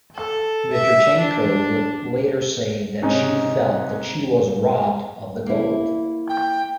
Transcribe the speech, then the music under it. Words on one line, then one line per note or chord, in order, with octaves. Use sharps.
Vitrichenko would later say that she felt that she was robbed of the gold.
A4
E5
D4
G#2 C3 C#4 D#4
A#3 E4
G5